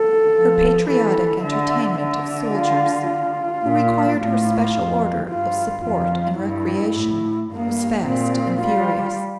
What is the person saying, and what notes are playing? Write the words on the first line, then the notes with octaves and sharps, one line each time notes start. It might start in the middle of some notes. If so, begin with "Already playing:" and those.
Her patriotic entertainment of soldiers who required her special order of support and recreation was fast and furious.
Already playing: A4
F3
E3 A4
D3 E5
D3 E5
F4
F4
A#2
A2 F4
F2
G2 F4
F2 F4
G2 E4
A2
G2 A#3
A#2 C4
G3 F4